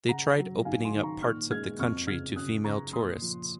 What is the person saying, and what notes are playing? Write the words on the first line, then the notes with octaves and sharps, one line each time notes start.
They tried opening up parts of the country to female tourists.
C#3 F#5 A#5
F#3
G#2 F5 G#5
G#5 C6
D#3
A#5 C#6
A#2 C#6 F6
G#3 F6 G#6
F2 C#6 F6
C#3 F6 G#6
F#2 D#6 F#6
C#3 A#5 C#6
A#2 C6 D#6
F3